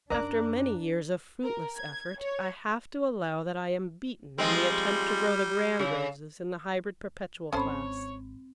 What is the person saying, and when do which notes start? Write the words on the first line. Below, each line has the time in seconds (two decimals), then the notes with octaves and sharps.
After many years of fruitless effort I have to allow that I am beaten in the attempt to grow the Grand Roses in the Hybrid Perpetual class.
0.10 F#2 D4 D#4 A#4 D5 A#5 D6 F#6
1.43 A#4
1.77 G#6
2.21 C#5
4.38 F3 G3 G#3 C4
5.79 C#3
7.53 G#1 C4 C#4 A4 C5 C#5 B5